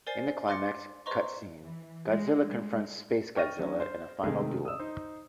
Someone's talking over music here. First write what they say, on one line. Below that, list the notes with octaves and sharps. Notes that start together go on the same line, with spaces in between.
In the climax cut-scene, Godzilla confronts SpaceGodzilla in a final duel.
A#4 C5 D5 G#5 A6 C7
C6 D6 F6 A6 A#6 C#7
B4 C5 D#5 A#5 C6 C#6
E3
G#3
G#3
G5 C#6 F6 A6 A#6 D#7
F#3 C#4 D4
C5
C3 D#3 G#3 A3 G#4
D#6 E6
D#4 C5